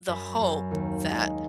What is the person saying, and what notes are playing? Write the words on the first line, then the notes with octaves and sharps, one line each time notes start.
the hope that
F#2 B5
F#2
D#2
G#3